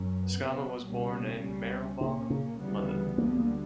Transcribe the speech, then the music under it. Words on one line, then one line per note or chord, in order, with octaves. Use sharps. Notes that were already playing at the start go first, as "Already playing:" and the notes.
Schama was born in Marylebone, London.
Already playing: F#2 C#4
B2 F#3 B3
C#2 B2 G3 A#3 C#4
C#2 B2 G3 C#4
A#2 C#3 A#3 C#4
C#3
D2 C#3 E3 G3 B3
D2 D3 G3 A#3
B3
A#3